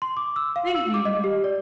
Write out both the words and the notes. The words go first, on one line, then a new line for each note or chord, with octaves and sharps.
Thank you.
C6
D6
E6
F5
E6
D6
D#5
G4
D5